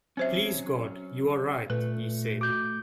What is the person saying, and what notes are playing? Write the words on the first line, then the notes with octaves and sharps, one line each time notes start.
"Please God you are right," he said.
F#3 C4 C#4 C5 E5
A#2 A3 B4
F#4 D6 G6